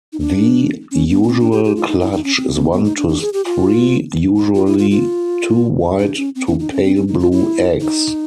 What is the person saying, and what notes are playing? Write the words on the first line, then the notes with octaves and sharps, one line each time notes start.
The usual clutch is one to three, usually two white to pale blue eggs.
D#4
D4
C#4
B3
C#4
C4
D4
G4
G4
F4
D#4
E4
D#4
C#4
C4
B3
B3
D#4
D4
D4
G#4
G4
F4
D#4
F4
E4
F4
F4
D4
C#4
C4
C#4
D#4
C#4
C4
C#4
D#4
F4
E4
D#4